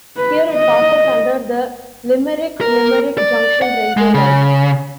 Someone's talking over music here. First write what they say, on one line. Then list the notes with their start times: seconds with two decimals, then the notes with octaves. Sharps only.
Here it passes under the Limerick-Limerick Junction railway line.
0.17 B4
0.50 D#5
2.61 A#4
3.18 D5
3.62 F#5
3.97 G#3
4.14 C#3